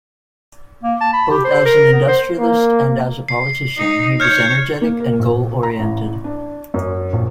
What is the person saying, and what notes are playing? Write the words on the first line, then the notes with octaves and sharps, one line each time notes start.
Both as an industrialist and as a politician he was energetic and goal-oriented.
A#3
A5
B5
G4
C5
A#4
B3
C5
A#3
C7
D#4
C#5 F6 G6 G#6
A#3
A#4
A#1
A#5
A1
D4
F#2
A#1